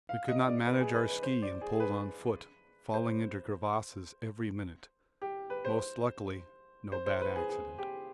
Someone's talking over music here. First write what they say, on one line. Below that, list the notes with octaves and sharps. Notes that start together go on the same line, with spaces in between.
We could not manage our ski and pulled on foot, falling into crevasses every minute--most luckily no bad accident.
F5
D#5
D5
B4
G#4
B4
B4
C5
D5
G#4
G#4
B4
C5
G4
B4
C5
C5
C5
B4
G#4
G#4
G4